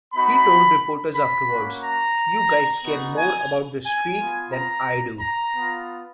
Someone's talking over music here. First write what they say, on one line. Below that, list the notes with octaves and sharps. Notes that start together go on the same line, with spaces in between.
He told reporters afterwards, You guys care more about the streak than I do.
B3 D#4 F#4 B5
B5
A#3 C#4 F#4
A#5
B3 D#4 F#4
G#5
G#5
B3 F4
A#5
A#5
B3 F4